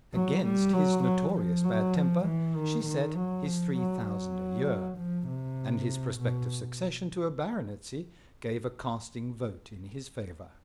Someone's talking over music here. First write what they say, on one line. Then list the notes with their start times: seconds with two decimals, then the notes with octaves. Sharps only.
Against his notorious bad temper she set his three thousand a year, and his prospective succession to a baronetcy gave a casting vote in his favour.
0.13 F#3
0.44 G3
0.73 F#3
1.04 F#3
1.34 F3
1.64 F#3
1.95 F3
2.25 E3
2.55 D#3
2.85 D#3
3.16 F#3
3.46 F3
3.77 F#3
4.06 F#3
4.97 F3
5.27 C3
6.18 B2